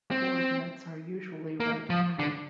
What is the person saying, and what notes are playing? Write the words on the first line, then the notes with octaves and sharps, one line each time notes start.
Coordinates are usually right-handed.
C4
A#3
F3
D3